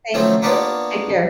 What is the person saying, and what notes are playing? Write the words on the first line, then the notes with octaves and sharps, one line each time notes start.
Thank you. Take care.
D#3 F3 F#3 A3 C4 C#4
A#3 B3 D4 F4 F#4